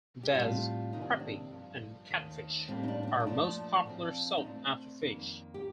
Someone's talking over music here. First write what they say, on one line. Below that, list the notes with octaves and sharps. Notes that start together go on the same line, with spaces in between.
Bass, crappie, and catfish are most popular sought after fish.
G4
A2 G3 C4 F4
C3 D#3 A#3 D#4
D4
C4
D4
G2 F3 A#3
D#2 D#3 A3
A2 G3 A#3 C4
D#4
D4
C4
D4
D#4
A#2 F3 A3 D4
A#2 F3 C4
D#4
A#2 A3 C4 D4
F2 D#3 A#3
G4